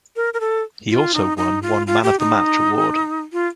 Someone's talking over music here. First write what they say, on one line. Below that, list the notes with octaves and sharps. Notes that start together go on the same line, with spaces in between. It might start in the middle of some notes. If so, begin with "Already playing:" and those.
He also won one man of the match award.
A#4
A#4
A4
F4
D#4
D#4
F4
F4
G4
D#4
F4